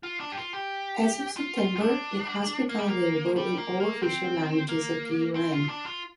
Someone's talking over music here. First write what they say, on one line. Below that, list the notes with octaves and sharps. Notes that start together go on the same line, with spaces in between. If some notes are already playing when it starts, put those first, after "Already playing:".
As of September, it has become available in all official languages of the UN.
F4
D4
G4
F4
G4
F4
F4
F4
D4
A#3
G3
A#3
G3
A#3
A#3
C4
A#3
C4
F4
D4
F4